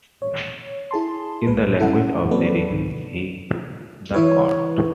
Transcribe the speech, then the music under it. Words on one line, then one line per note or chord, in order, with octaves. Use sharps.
In the language of the ring, he took the count.
C#5
E4 G#4 A5 C6
C2 A2 G#3 B4
C#4 E4 A4 E5 F#5
F#3 A#3 C4 A4 B4 D5
C2 G#2 C3 D#3
E3 E4 B4 C#5